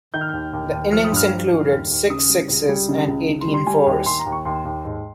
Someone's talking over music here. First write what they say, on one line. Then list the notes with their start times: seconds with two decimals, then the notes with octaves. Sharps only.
The innings included six sixes and eighteen fours.
0.14 D#3 G6
0.21 F6
0.29 D#2 G6
0.53 D#2
0.72 D#2
0.92 F3 F6
1.04 D#6
1.12 G2 F6
1.31 F3
1.51 G2
1.71 D#2 F6
1.91 D#2
2.10 C#3 D#6
2.29 G3
2.49 C#2
2.69 G3
2.89 C#3
3.08 C#2
3.28 C#3
3.41 C6
3.47 G3
3.54 C6
3.67 G3 G#5
3.86 D#2
4.06 D#2 C6
4.19 A#5
4.26 D#2
4.32 C#6
4.45 D#2 C6
4.65 D#2
4.85 G#2